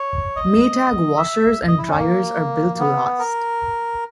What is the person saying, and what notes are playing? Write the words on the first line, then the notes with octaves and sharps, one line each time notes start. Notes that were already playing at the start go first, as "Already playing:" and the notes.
Maytag washers and dryers are built to last.
Already playing: C#5
D#5
E5
D#5
E4
C#4
A#3
B3
A#4